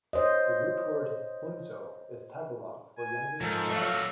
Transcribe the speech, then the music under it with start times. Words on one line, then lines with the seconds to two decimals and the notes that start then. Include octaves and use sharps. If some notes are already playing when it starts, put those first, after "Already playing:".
The root word "bunso" is Tagalog for youngest child.
0.13 C5 C#5 D#5
2.98 G#5
3.41 G#2 F3 A4 A#4
3.70 F#3 A3 F5